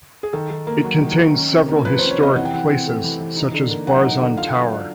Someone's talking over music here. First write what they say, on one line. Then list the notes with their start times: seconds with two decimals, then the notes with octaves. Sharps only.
It contains several historic places, such as Barzan Tower.
0.23 G#4
0.33 D#3 A4
0.50 D#3
0.67 A#3
0.84 F#3
1.01 D#3
1.18 D#3
1.34 C#4
1.51 C3
1.68 A#3
1.85 F3 B4
1.98 C#4 C5
2.11 C#5
2.19 C3 D#5
2.35 E3 F#5
2.45 G5
2.53 E3 F#5
2.70 C4
2.86 A3
3.04 E3
3.20 E3
3.37 D#4
3.54 D3
3.71 A#3
3.87 F#3 F#5
4.04 D#4
4.21 D3
4.37 F4 F5
4.55 F#3
4.72 D4